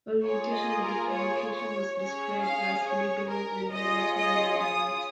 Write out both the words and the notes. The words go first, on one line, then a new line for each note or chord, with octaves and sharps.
Orientation of the publication was described as "liberal" and "relatively moderate".
A#3 F4 G#4 C#5
D#5
A#4
C#5
C#5
C#4 G#4 C#5
F5
C#5
A#4
C#4 F4 G#4 D#5
D#5
D#6